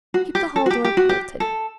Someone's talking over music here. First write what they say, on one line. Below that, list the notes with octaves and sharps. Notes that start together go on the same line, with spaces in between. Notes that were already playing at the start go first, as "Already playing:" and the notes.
'Keep the hall-door bolted.
F#4
G4
A4
F#4
G4
G4
F#4
G4
A4